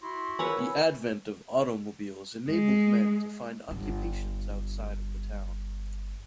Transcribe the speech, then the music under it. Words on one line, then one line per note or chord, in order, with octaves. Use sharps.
The advent of automobiles enabled men to find occupations outside of the town.
E4 F#4 C6
A#4 B4 C#5 F#5 G#5 B5 E6
G#3
G1 G3